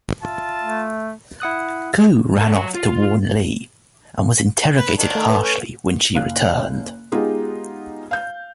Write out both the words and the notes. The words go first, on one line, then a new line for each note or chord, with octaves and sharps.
Kou ran off to warn Li and was interrogated harshly when she returned.
F4 E5 A5
A3
E4 F#5 D#6 F#6
A#2 A4
F#3 C#5
F4
B4
D#3 D4
A3 D#5
D#3 A4 B4
C#4
F#1 F5 F#6
G#3 B3 D#4 F4 G4 G#4
F5 G6